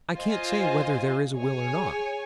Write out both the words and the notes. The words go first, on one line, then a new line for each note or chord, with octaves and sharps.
I can't say whether there is a will or not.
F4 C5 D#5 G#5
G#4 C#5 G#5